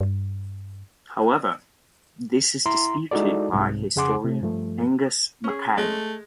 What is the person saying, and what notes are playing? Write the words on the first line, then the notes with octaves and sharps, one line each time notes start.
However, this is disputed by historian Angus Mackay.
G2
E4 A#5 C6
G#3 D#4 E4 F#4 A4 D5
C2 G#2 C3
F2 C#3 G#4 F#5 C6 D6
C3
G2 F3 A3
C#4 G#4
G#3 A3